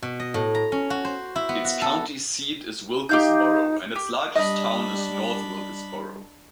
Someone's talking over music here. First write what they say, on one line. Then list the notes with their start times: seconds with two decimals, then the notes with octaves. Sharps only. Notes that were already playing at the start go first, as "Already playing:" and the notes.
Its county seat is Wilkesboro, and its largest town is North Wilkesboro.
0.02 B2
0.20 D#5
0.34 A2
0.55 A#5
0.72 C#4
0.90 F#4
1.05 C5
1.36 E4
1.49 B3
1.65 F#4
1.82 A4
3.09 D#4 G4 F5 G6
3.96 G4
4.35 G3 D4 D#5 B5